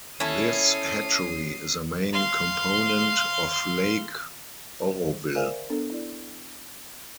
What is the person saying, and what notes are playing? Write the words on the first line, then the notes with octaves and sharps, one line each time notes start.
This hatchery is a main component of Lake Oroville.
C#4 E4 A4 D#6 C7
F5 C6
A#4 C5 D5 E5 F5 G#5
B3 D4 A4
E4 D5